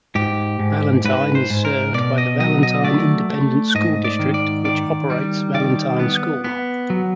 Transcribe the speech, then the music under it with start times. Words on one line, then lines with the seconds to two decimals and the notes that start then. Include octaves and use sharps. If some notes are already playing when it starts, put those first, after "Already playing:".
Valentine is served by the Valentine Independent School District which operates Valentine School.
0.15 G#2 G4
0.59 G#2
1.05 G#2 B4
1.35 C5
1.50 G#2
1.65 A#4
1.94 B2 D5
2.18 D#5
2.40 F#3 D#5
2.63 D#5
2.84 A3 D5
3.30 A3
3.75 G#2 D#5
4.05 D5
4.19 D#3
4.34 D5
4.65 D#3 D5
5.10 G3
5.54 D#3 D5
5.99 B3
6.44 B3
6.90 F#3